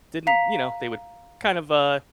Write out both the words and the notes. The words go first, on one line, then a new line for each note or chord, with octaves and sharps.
didn't, you know, they would kind of, uh,
F5 A#5 B6 F7